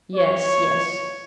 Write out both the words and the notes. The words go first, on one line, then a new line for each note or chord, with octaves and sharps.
"Yes, yes."
C#5